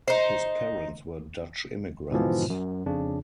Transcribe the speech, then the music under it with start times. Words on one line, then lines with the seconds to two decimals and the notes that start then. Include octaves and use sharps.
His parents were Dutch immigrants.
0.08 D#4 C5
2.11 G#2 B2 D3 E3 F3
2.50 F#2
2.86 F2 C#3 D4